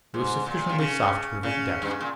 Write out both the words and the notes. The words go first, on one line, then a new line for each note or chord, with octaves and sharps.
It was sufficiently soft to prevent death.
G#2
A#2
D#3
C#3
C#3
G2
A#2